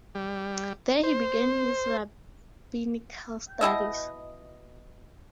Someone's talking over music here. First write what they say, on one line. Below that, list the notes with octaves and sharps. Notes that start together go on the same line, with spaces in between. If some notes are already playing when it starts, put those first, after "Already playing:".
There he began his rabbinical studies.
G3
C5
B2 C#4 E4 D#5